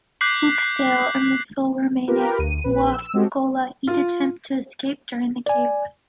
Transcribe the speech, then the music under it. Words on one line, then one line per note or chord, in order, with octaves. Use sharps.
Uxtal and the sole remaining Waff ghola each attempt to escape during the chaos.
D6 F#6 G6 B6 C7 F#7
F4 G4 A#4 B4
D2 D#7
A#1 B4
E6
G#3 C4 C#4 F#4 G4 A4
F4
D5 G#5